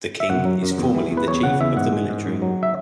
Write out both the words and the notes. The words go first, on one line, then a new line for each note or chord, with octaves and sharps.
The King is formally the chief of the military.
E5
F#2 F#5
F#3
F#2
E2
E3
E2
B4
E2 C#5
C#3 F#5
E2 E5
G#2 F#5
G#3
G#2
F#2
F#3
E5